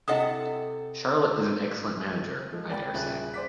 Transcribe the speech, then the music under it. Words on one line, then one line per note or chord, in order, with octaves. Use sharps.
Charlotte is an excellent manager, I dare say.
C3 E4 A4 D#5 F#5 D#6
F3 G#3
D5 G5 B5 A6
D#1 C#3 G#4 E5 F#6
C5 D5 D6 B6